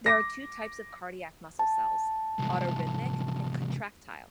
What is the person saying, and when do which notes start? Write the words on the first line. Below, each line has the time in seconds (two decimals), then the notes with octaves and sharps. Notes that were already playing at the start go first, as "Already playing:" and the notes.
There are two types of cardiac muscle cells: autorhythmic and contractile.
0.06 D6 A#6
1.59 A5
2.39 C2 G#2